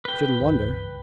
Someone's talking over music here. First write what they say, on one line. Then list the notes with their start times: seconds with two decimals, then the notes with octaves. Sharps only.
"Shouldn't wonder."
0.05 B4 G5
0.40 C#2 G2 E3